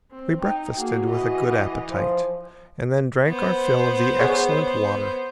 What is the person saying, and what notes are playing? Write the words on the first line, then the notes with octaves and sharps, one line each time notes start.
We breakfasted with a good appetite, and then drank our fill of the excellent water.
C4
D#4 G5
A#3 F#4 G#4
E3 D#5
F3
B3 C5
G#4 C#5 F#5